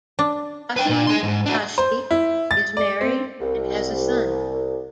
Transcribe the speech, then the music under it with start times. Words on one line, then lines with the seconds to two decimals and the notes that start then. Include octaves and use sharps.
Faheem Dashty is married and has a son.
0.19 D4
0.77 B4 G5
0.90 A#2
1.07 G#4 C6
1.23 G#2
1.46 D4 F#4
1.78 C5
2.11 E4
2.51 A6
2.77 D5
3.01 C4
3.41 C2